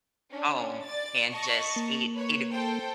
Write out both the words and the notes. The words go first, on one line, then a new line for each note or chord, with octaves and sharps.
home and just eat eat a
C#4 D4
D5 A6
D#5 A5 C#6
A#3
B4 C#5
A4 C5 G5